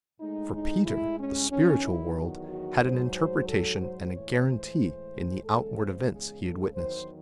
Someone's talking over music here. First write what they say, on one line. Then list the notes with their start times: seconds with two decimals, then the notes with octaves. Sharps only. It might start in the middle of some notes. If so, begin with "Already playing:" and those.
For Peter the spiritual world had an interpretation and a guarantee in the outward events he had witnessed.
0.19 A2 G#3 D#4
0.53 D#4
0.85 E4
1.18 C#4
1.50 E2 D#3 F#3 C#4
1.83 E4
2.16 F#4
2.49 F#4
2.82 G#2 F#3 C5
3.14 C5
3.47 A4
3.80 C5
4.12 A2 E3 G#3 C#5
4.45 C5
5.44 E2 C#3 G#3 A4
5.76 C5
6.10 G#4
6.42 A4
6.74 E2 D#3 F#3 C5